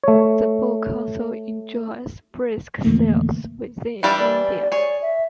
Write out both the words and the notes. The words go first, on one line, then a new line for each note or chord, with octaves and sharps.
The book also enjoys brisk sales within India.
A3 C#5
F2 B2 D3 E3 A3 A#3
E3 G3 D4
D5
G#4 C#5 D5
E5